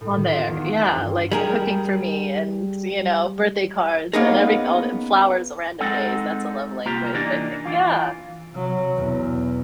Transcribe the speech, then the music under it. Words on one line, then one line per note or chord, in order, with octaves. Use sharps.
On there, yeah, like cooking for me and, you know, birthday cards and every all and flowers on random days. That's a love language, I think, yeah.
A2
D#3
F4
E2
F4
G2
G3 G#4 A#4
A#3 B3 C#4 D#4 G#4 A#4
G#3 C4 D#4 A4 F#5
C2 A#3 F4 G4 A#5
E3 A#3 D4 D#4
E3 F4
C3 F#3
B1 E2